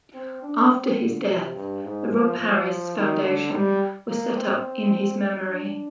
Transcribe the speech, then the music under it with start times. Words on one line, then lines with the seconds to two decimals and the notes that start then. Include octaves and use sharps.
After his death, the Rob Harris Foundation was set up in his memory.
0.14 C4
0.43 D4
0.71 C4
0.99 D3
1.27 C3
1.55 G2
1.84 G#2
2.11 F3
2.39 F3
2.95 D#3
3.23 D3
3.52 G3
4.07 A#3
4.35 C4
5.48 D4